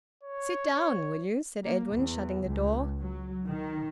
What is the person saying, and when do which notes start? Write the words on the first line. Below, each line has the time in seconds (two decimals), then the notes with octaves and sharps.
"Sit down, will you?" said Edwin, shutting the door.
0.24 C#5
1.64 A#3
1.93 E2
2.45 C#2
2.99 F#3
3.47 D#3